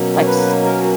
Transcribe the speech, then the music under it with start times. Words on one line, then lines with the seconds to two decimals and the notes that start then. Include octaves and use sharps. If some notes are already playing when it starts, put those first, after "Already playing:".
like, s
Already playing: B2 F#3 A#3 C#4
0.21 C#5
0.25 B4
0.64 A#4
0.80 F#4